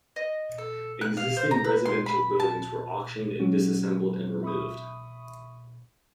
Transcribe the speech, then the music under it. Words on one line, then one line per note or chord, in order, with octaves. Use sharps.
Existing residential buildings were auctioned and disassembled and removed.
D#5
A4
F#6
F5
C5
A#5
B4
C6
B5
A5
F#3 G#3 C#4 F#4
E5 B5 C#6 D#6